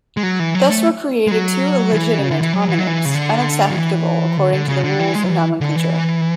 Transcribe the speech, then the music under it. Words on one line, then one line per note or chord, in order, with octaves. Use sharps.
Thus were created two illegitimate homonyms, unacceptable according to the rules of nomenclature.
G#3
F#3
E3
F#3
A3
G#3
F#3
E3
C#3
D3
E3
F#3
E3
F#3
E3
C#3
D3
F#3
E3
D3
D3
C#3
D3
E3
G#3
F#3
E3
D3
E3